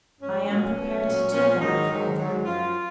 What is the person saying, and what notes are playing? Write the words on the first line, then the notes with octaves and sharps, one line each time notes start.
'I am prepared to do that, father.'
G#2 F3 C#4
A#2 F#3 C#4
B2 F#3
A#2 F#3
A#2 F3 C#4
G#2 D#3 F#3 D#4
G#2 D#3 F#3
G#2 F#3
F#2 F3 F4